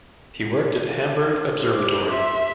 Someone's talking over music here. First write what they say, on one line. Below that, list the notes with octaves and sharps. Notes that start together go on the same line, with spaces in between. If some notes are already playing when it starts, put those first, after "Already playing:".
He worked at Hamburg Observatory.
G4 C5
E5 C6